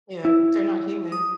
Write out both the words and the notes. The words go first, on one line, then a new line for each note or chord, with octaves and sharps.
Yeah, they're not human.
E4
D#6